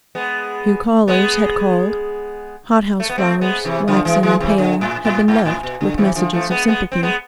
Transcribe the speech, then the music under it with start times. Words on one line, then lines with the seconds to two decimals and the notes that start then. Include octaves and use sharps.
A few callers had called. Hothouse flowers, waxen and pale, had been left with messages of sympathy.
0.15 G#3 B3
1.08 G#3 B3
3.00 A3
3.09 B3
3.18 A3 C4
3.41 G#3 B3
3.65 C3 E3
3.88 D3 F3
4.05 E3 G#3
4.23 E3 G#3
4.40 C3 E3
4.58 D3
4.81 A2
5.05 A2
5.28 G#2
5.45 A2
5.63 B2
5.81 D3
5.98 C3 E3
6.16 D3 F3
6.33 F3 A3
6.50 G#3 B3
6.68 G#3 B3
6.92 C4
7.03 G#3 B3